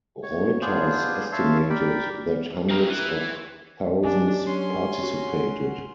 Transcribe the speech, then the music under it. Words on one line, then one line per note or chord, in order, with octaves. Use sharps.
Reuters estimated that hundreds of thousands participated.
C#5
B3 D4 F4 G#4 C5
C#5 E5 F5 A5 C6
A#4 D5 G5 B5
C4 A#4
E3
F#3 D4 G4 D#5 G#5
C#4 C6
F#4